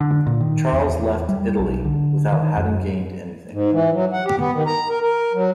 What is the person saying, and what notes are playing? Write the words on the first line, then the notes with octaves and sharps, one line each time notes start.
Charles left Italy, without having gained anything.
D3
A#2
D#3
E2
G3
B1
D3
D#3
F#2
G#2
E3
F#3
F#5
G4
B3
D#3
A#5
A#4
A#4
F#3